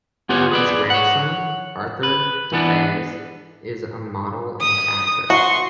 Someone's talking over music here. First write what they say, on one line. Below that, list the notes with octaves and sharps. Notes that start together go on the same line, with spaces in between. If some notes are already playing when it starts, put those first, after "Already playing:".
His grandson, Arthur Defays, is a model and actor.
B3 F4 G4 G#4 B4 C#5
G#4 B4 D5
C#5 F#5
B4
E3 B3 D4
D#6
F#4 C6 C#6